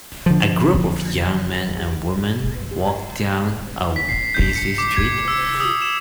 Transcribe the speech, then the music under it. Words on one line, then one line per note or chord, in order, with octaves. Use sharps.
A group of young men and women walk down a busy street.
D3 F3
B6
C7
G6
C#7
D6
G#6
E6
D#6
E7